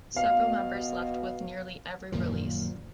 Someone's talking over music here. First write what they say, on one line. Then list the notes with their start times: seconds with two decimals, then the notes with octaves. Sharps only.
Several members left with nearly every release.
0.17 B2 F5
2.12 F#2 A#2 D#3 F3